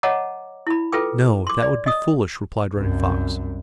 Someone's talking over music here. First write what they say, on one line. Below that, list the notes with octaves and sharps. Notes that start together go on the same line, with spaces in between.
"No, that would be foolish," replied Running Fox.
C#5 D#5 F#5 A5 A#5 D6
E4 B5
F4 A4 B4 G5 D6
C6 D6
D5
D#5 D#6
C2 F#2